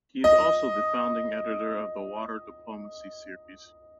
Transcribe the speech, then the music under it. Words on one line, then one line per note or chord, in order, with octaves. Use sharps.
He is also the Founding Editor of the "Water Diplomacy Series".
D#5